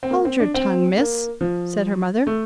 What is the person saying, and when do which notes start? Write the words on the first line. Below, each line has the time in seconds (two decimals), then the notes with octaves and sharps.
"Hold your tongue, miss!" said her mother.
0.03 C4
0.11 A#3
0.25 C4
0.40 D4
0.54 C4
0.98 A#3
1.41 F3
2.27 A3